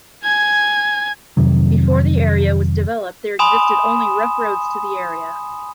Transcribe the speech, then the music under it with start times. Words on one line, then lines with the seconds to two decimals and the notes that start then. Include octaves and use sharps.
Before the area was developed, there existed only rough roads to the area.
0.24 G#5 G#6
1.37 F2 C3 D#3 F#3
3.39 G#5 B5 C6 D#6 E7